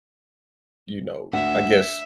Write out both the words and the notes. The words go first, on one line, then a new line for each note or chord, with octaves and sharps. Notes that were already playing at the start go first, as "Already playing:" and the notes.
you know I guess
D2 E5 F#5